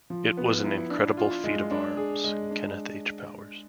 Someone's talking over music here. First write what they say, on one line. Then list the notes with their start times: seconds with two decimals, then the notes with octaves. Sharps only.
It was an incredible feat of arms... - Kenneth H. Powers.
0.10 F3
0.37 B3
0.64 E4
0.90 D4
1.17 F4
1.44 G#3
1.71 D4
1.97 G#4
2.24 G#3
2.51 D4